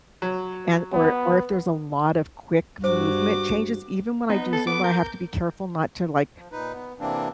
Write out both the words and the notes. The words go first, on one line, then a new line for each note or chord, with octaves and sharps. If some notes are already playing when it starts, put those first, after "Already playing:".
And or or if there's a lot of quick movement changes, even when I do Zumba, have to be careful not to, like
F#3
B3
G2 F#4 C5 D6
B3 D#4
A4
B3 D6
A#4 G6
F3
A#2 D#4 B4
B3
C3 E3 A#3 C4 D4